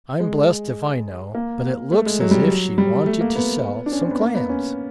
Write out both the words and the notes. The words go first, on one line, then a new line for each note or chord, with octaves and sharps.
"I'm blessed if I know, but it looks as if she wanted to sell some clams."
G#3
A#3
A3
G#3
F#3
G3
F#3
G3
A3
A#3
B3
D4
C#4
C4
B3
A#3
B3
C#4